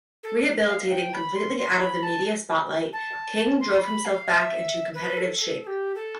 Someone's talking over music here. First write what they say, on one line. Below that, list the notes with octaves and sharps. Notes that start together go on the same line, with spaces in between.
Rehabilitating completely out of the media spotlight, King drove himself back into competitive shape.
A4
F5
G5
B5
C6
C6
B5
A5
A5
C6
B5
F5
E5
B4
A4
A4
A4
G4
A4